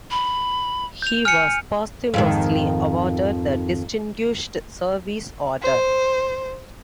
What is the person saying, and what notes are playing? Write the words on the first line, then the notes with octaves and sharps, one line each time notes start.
He was posthumously awarded the Distinguished Service Order.
B5
G6 F7
G#5 F6 C#7
F2 G#2 D#3
C5